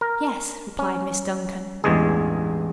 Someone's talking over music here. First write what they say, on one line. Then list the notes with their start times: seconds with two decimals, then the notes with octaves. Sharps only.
"Yes," replied Miss Duncan.
0.01 A#4
0.79 C#4
1.84 A1 E2 G2 G#3 G#4